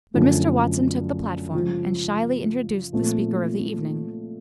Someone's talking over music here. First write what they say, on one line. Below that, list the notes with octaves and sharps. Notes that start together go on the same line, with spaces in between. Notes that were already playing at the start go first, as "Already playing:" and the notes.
But Mr. Watson took the platform and shyly introduced the speaker of the evening.
F#2 D3 F3 A3
C#3 F3 G#3
A#2 F3 A3 C4